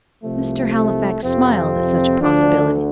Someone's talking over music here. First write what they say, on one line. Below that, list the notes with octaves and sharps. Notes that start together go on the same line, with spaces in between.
Mr. Halifax smiled at such a possibility.
C2 C3 F3 A3
A3
F2 C3 F3 C4
D2 D3 F3 D4